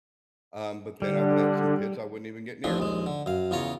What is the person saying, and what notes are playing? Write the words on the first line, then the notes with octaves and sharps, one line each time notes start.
Um, but then I've met some Pits I wouldn't even get near.
D3 G3
A1 D#2 F3 C4 D4
A#1 D#2 G#3
D3
F#2 F5
E2 C#3 F4 C#5 A#5